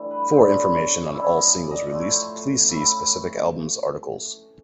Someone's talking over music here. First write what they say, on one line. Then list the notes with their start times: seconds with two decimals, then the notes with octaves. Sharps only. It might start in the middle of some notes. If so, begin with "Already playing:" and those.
For information on all singles released please see specific album's articles.
Already playing: G2 E3 A3
0.11 B4
0.22 B4
0.30 D3 F#3 B3 C5
0.43 A#4
0.52 B4
0.61 C5
0.70 C#5
1.03 C#5
1.10 C#3 E3 A3 C#4 D5
1.37 D#5
1.63 D5
1.71 D#5
1.78 D5
1.90 A2 F3 A3 C5
1.99 C#5
2.08 C5
2.69 C#3 E3 A3